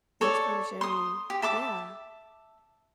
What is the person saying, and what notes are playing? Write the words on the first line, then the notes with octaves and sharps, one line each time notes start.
thanks for sharing Yeah,
A4 C#5 D5
C6 D#6
G4
E5 A5 D6